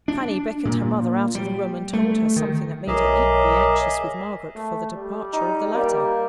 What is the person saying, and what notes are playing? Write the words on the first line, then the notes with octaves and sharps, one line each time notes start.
Fanny beckoned her mother out of the room, and told her something that made her equally anxious with Margaret for the departure of the latter.
D4
A#2
G3
A3
D#3
B1 G#4 A#4 C#5 D#5 E5 A#5 D6
A3
G3
D#4
G3 A#3